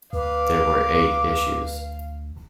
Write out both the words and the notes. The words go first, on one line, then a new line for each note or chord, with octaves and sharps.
There were eight issues.
D2 B4 F5 D6